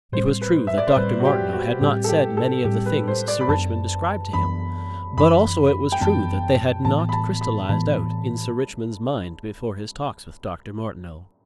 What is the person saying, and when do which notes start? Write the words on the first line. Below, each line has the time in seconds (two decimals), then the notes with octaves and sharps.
It was true that Dr. Martineau had not said many of the things Sir Richmond ascribed to him, but also it was true that they had not crystallized out in Sir Richmond's mind before his talks with Dr. Martineau.
0.12 A2 G3 C4 C5
0.41 B4
0.67 E5
0.78 D5
0.87 C5
0.96 A2 G3 C4 B4
1.20 F#4
1.25 G4
1.53 F#4
1.81 A2 G3 C4 G4
2.04 A4
2.09 G4
2.37 A4
2.64 A2 G3 C4 G4
2.86 B4
3.08 C5
3.28 D5
3.41 B5
3.48 F#2 E3 B3 D4 A5
4.33 F#2 E3 B3 D4 B5
5.17 F#2 E3 B3 D4 B5
5.92 G5
6.01 F#2 E3 B3 D4 A5
6.85 A2 E3 B3 A5
7.09 B5
7.13 A5
7.41 B5
7.69 A2 E3 B3 A5